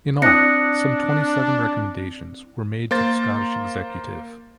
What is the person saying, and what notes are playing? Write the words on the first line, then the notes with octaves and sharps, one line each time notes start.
In all, some twenty seven recommendations were made to the Scottish Executive.
C4 D4 E4 D#6 F#6 A#6 C#7
A#3 C5 A6